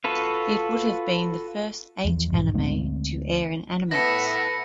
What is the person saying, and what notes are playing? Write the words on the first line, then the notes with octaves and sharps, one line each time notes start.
It would have been the first H anime to air in Animax.
F4 F#4 A4 B4 F5
E2 F3
B1 G#2 E3
D2 G#3 B3 C4
B3 E4 A4 B4 E5 A#6 C#7